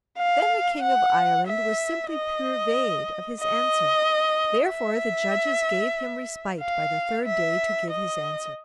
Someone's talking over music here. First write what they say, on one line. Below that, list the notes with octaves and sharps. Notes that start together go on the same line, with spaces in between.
Then the King of Ireland was simply purveyed of his answer; therefore the judges gave him respite by the third day to give his answer.
F5
F#5
E5
D#5
D#5
E5
F5
E5
D#5